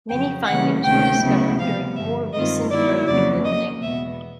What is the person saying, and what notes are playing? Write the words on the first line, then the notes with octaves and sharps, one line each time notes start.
Many findings were discovered during more recent road building.
F2 C#3 F#3 G5
C#3 E3 G3 A#3 C#4 F#5
D2 C3 D#3 G#3 C#4 G5
D2 C#3 F#3 B3 E4
C3 F3 G#3 B3 F5
G2 D3 F3 E5
G2 D#3 G#3 C4 F4 D#5
D#3 G#3 B3 E4 D5
F2 C#3 F#3 A#3 D5
C#3 F#3 A#3 D#5
E2 B2 G#3 B3 E5